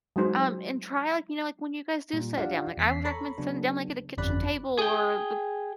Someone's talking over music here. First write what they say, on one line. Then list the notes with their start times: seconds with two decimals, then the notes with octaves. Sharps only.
Um, and try, like, you know, like, when you guys do sit down, like, I would recommend sitting down, like, at a kitchen table or the
0.16 F#3 G#3 D#4 C5
2.13 A#2 G3
2.38 D4 F4 G4 D5 F5 F#5
2.78 E2 B6 C7
3.05 A4 C#5 A#5 B5 C#6
3.38 C#3 F#3 B3 C#4 D4
4.18 G1 F2 C#4 D5 B5 F#6
4.79 G#4 G5